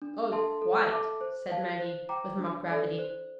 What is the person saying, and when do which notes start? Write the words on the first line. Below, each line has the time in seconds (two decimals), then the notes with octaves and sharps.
"Oh, quite," said Maggie, with mock gravity.
0.02 D4
0.32 A4 E5 A5 C6
0.62 A4
0.92 E5 A5 D6
1.21 C5
1.51 F5 A5
1.79 C5
2.09 G5 A#5 D6
2.39 D4
2.68 A4 D5
2.99 C5